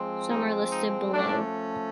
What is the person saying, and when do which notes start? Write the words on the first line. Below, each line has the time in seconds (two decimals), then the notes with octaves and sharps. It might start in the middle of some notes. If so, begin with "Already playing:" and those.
Some are listed below.
Already playing: F3 G#3 C4
0.30 D#4
0.71 D#4
1.12 F3 A3 C#4 D4